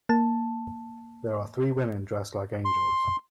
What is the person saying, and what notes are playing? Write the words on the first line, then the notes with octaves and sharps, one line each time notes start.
There are three women dressed like angels.
A#3 A5
C6